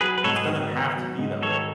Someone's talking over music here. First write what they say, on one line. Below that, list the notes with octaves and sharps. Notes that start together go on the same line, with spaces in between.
It's gonna b have to be that way.
F#3 G#4 B4
B4
G#2 A4 C#5
G#4 B4
D#3
B3
F#3
G#2
D#3 A4 C#5